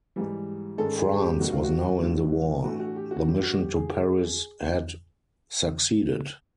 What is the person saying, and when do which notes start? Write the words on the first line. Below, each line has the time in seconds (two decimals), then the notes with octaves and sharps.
France was now in the war; the mission to Paris had succeeded.
0.16 G#2 E3 G3
0.78 G#2 D#3 G#3 C#4 A4
0.99 G#4
1.20 G4
1.40 G2 D#3 F#3 A3 F#4
1.53 F4
1.64 F#4
2.02 G2 D3 F3 A3
2.64 A2 E3 A3 D4 F#4
2.80 F#4
2.96 G4
3.11 F#4
3.28 G2 D3 F#3 G4
3.43 F#4
3.58 G4
3.74 G#4